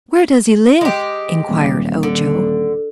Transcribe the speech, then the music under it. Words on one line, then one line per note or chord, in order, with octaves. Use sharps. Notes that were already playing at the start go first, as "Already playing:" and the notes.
"Where does he live?" inquired Ojo.
G#3 G4
D#1
D3